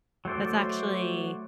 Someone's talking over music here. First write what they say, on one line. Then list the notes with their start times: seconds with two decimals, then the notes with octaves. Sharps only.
that's actually
0.25 F#3 A3 C5 D5